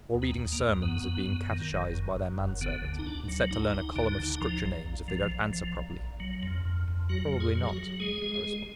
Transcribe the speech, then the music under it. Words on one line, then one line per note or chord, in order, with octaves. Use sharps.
Or reading sermons, and being catechised by their manservant, and set to learn a column of Scripture names, if they don't answer properly?' 'Probably not,' I responded.
D#2
B3
D#2
A#3
D#2
F#2 B3
F#2
F#2
D#3
F#1
F#2
F#2
F#1
D3 B3
D2
D#4
D2 D4
F#3
D2 D#4
D2
D3
D2
F3
A#1
A#1
F3
A#1
F3
A#1
A#1
F#3
F2
F2
F2
F#3 F#4
F2
G#4
F#3
G#4
F#4
F#3
G#3 G#4
G#3
G#3